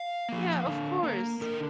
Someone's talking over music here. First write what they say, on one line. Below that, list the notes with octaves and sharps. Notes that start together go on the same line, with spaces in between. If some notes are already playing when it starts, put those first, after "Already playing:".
Yeah, of course,
Already playing: F5
F3 A#3
D3
A#3
D3 A#4